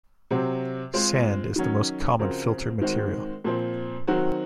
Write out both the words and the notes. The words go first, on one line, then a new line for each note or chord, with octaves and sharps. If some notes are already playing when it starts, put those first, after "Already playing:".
Sand is the most common filter material.
C3 F#3 C4
G#3 C4 F4 C5
D#3 F#3 C#4
C#3 F3 C4 F#4 A#4
D#3 G#3 C4 F#4 C5
A#2 F3 C4
D#3 F#3 C4 F#4